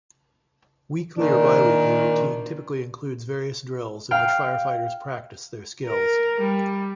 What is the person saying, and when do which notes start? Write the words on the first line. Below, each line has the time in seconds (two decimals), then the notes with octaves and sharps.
Weekly or bi-weekly routine typically includes various drills in which firefighters practice their skills.
1.18 A#2 D#3 D4
4.11 F5 G5
5.86 A#4
6.41 G3